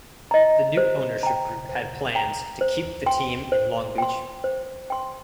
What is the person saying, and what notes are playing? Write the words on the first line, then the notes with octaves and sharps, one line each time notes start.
The new ownership group had plans to keep the team in Long Beach.
D#5 A#5
C5
G5 A#5
C5
G5 A#5
C5
G5 C6
C5
G5 C6
C5
G5 C6